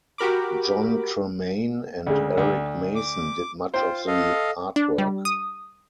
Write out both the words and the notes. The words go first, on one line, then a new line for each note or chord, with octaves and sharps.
Jon Tremaine and Eric Mason did much of the artwork.
F#4 G4 A#4 B5 D6
D2 C#3 G#3
D2
D6
F4 C5 G5
A4 D#5 F5
D4
G3
D#6